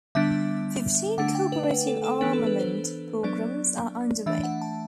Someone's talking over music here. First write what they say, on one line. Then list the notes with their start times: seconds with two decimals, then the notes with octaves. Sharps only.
Fifteen cooperative armament programmes are under way.
0.15 D3 G3 B3 D4 E5
1.18 D3 A3 D4 F#5
1.35 G5
1.52 B4
1.70 B4
1.87 A4
2.04 A4
2.21 E3 B3 D4 B4
2.33 A4
2.47 B4
2.59 C5
3.23 F#3 B3 D4 D5
4.26 E3 A3 D4 E5
4.43 F#5
4.62 A5